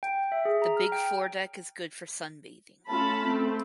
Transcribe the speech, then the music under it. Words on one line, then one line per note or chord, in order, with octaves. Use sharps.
The big foredeck is good for sunbathing.
G5
E5
G#4
A#5
F6
G5
A3 C#4 F4 A5 B5
A3 C4